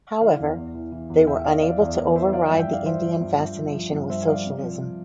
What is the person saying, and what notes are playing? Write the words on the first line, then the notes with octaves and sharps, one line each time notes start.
However, they were unable to over-ride the Indian fascination with socialism.
E3 D5 F5
E2
E2
E3
E3
E2
E2 E5 G5
E3 D5 F5
E3 D5 F5
E2 D5 F5
E2 A#4 D5
D5
E3 C5 E5
F3 D5 F5
E5 G5
G2
E5 G5
G2 D5 F5
F3 C5 E5
F3
G2
G2
F3
F3
G2
G2 C5 E5
F3 D5 F5
C3
F3